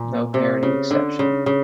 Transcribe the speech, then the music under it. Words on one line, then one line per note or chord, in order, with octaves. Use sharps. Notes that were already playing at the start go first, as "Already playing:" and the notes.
No parody exception.
Already playing: A#2
C3
C#3
D3
C#3
C#3